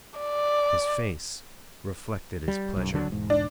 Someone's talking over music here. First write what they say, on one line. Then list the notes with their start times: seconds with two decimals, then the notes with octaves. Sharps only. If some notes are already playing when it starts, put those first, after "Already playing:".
His face reflected his pleasure.
0.19 D5
2.48 G3
2.76 B1 F#2
2.94 D3 F#3 D4
3.08 E1 G#2
3.30 D4